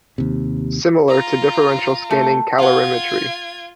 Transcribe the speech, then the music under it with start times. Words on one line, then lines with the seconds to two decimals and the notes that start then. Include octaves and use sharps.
Similar to differential scanning calorimetry.
0.18 D#2 C3
1.08 F4 A#5
2.11 A3
2.58 F4 F5 F#5 G#6